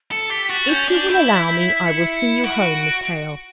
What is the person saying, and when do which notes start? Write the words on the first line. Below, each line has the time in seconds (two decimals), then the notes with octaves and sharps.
'If you will allow me, I will see you home, Miss Hale.
0.11 A4 C#7
0.30 G4 B6
0.45 B6
0.50 F#4 A6
0.69 C#4 G6
0.89 D4
1.09 E4
1.27 B6
1.57 B6
1.76 B6
1.86 C#7
2.15 C#7
2.44 F#4 D7